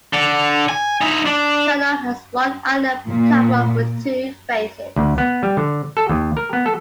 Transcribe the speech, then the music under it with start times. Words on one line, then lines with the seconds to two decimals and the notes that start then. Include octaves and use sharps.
Tynong has one island platform with two faces.
0.13 D3
0.69 G#5
1.01 D#4 E4
1.26 D4
3.08 A#2
4.96 D2
5.18 B3
5.43 G3
5.57 D3
5.97 A4
6.09 D#2
6.37 A#4
6.53 B3
6.66 A4